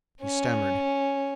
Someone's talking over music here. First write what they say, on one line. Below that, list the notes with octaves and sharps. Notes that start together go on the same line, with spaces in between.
He stammered.
C#4